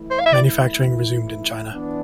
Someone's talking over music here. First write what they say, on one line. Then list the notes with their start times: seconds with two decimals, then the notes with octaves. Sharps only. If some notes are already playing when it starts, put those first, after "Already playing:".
Manufacturing resumed in China.
Already playing: E3 A3 E4
0.11 C5
0.20 F5
0.26 E5
0.33 D5
1.72 E3 B3 D4